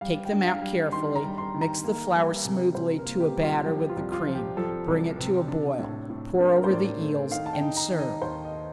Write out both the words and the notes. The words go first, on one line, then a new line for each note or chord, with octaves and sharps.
Take them out carefully, mix the flour smoothly to a batter with the cream, bring it to a boil, pour over the eels, and serve.
G3 F5
G5
D4
F5
G3
D#3 C6
A#5
G3
C6
D#3
A#5
A#3
G3
C3
C3 C5
A#4
A#3
G4
G3
F4
F3 G4
F4
C2
F4
F3
G4
F3 A4
C2
C3
D4
A2
A2
D4 A#4
A#4
C5
A2 D5
A3
D#3 F5
A5
G5
D#4
A#5
D#3
D#5
D#2 C5
D#5